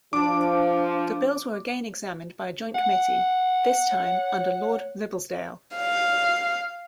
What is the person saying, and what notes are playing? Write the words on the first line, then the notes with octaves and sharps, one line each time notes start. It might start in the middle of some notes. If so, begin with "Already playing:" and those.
The bills were again examined by a joint committee, this time under Lord Ribblesdale.
F3 D4 D6
F#5
C#5
F5